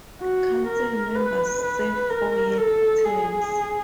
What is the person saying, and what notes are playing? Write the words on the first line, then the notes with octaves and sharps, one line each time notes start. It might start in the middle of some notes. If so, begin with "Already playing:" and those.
Council members serve four-year terms.
F#4
A#4
B4
B4
A#4
A4
G#4